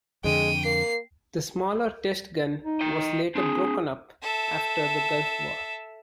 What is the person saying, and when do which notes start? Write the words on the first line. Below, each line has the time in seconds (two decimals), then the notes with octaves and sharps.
The smaller test gun was later broken up after the Gulf War.
0.24 F2 D3 G#3 G5 D#7
0.65 A#3 C7
2.63 D#4
2.81 D#5 G5
3.35 C4 D4 G#4
4.22 A4 E5